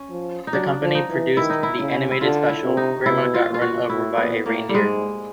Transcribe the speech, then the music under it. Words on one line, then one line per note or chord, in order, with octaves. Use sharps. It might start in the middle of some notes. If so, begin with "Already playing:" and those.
The company produced the animated special "Grandma Got Run Over by a Reindeer".
Already playing: C#4
F3
D#4
F#3 D4
F3
D#4
E3
D#3 E4
D#4
E4
C#3 E4
E4
D3 F4
E4
C3
D#4
B2 E4
F4
A#2
F4
F#4
A2 E4
A#2 B3
A2 A#3
G3
G#2 G#3